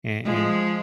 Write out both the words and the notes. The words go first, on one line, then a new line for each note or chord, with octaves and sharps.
And and
F3 G#3